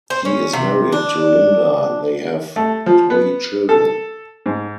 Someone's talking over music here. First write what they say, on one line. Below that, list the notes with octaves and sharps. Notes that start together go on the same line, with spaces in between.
He is married to Lynda; they have three children.
C5
C#4
C3
D4
A3
F3
B3
A4
G#2